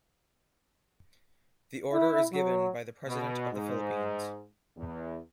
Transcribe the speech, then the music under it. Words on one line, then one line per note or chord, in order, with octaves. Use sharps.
The Order is given by the President of the Philippines.
E4
F#3
B2
G#2
E2